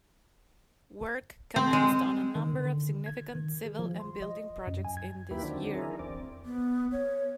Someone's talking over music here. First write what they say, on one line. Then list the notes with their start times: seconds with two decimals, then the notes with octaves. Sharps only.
Work commenced on a number of significant civil and building projects in this year.
1.56 C4
1.73 G#3
2.35 D#3
2.53 D3
3.06 G#6
3.35 D#3
3.65 G#4
3.79 F3
4.00 C6
4.22 D#5
4.67 F#2
4.85 G#5
4.97 G#6
5.31 D#2 A#3 E4 G4 B4
5.43 D3 D#3 F#3 C4 D4
5.75 D4 E4 G#4 A#4
5.99 E2 C4 D5
6.46 B3
6.92 C#5